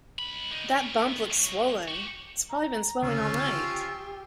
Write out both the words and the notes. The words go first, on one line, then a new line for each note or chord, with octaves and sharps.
That bump looks swollen. It's probably been swelling all night.
C#2 B5
D3 D#4
G3 C#4
D#3 B3
C2 F#3
F#4 G4
A#5
D2 C#3 F3 C#4 F4 C#5 E6
G4